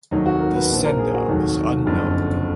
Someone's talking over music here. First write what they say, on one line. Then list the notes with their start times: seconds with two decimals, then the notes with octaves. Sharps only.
The sender was unknown.
0.11 F1 D#2 D#3 F#3 D#4
0.26 F#4
0.40 A#4
0.55 B4
0.70 A#1 A#2 F3
0.85 A#4
0.99 G#4
1.14 F#4
1.28 F1 D#2 D#3 F#3
1.86 F#1 F2 D3 F#3